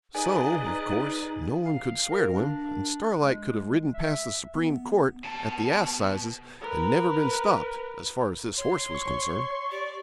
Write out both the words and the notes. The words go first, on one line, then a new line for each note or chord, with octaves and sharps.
So, of course, no one could swear to him, and Starlight could have ridden past the Supreme Court, at the assizes, and never been stopped, as far as this horse was concerned.
D#4 G#4 B4 D5 D#5 G#5
F5
A#4
D4
G#3
E5
B3
B2 A5
A#4 B4
C#5 C6
C#6
G4 D5